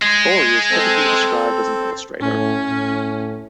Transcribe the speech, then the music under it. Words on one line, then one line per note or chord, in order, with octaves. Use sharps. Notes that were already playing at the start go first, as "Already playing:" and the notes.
Gorey is typically described as an illustrator.
G#3
C4 A4 C5
A2 C#4
A2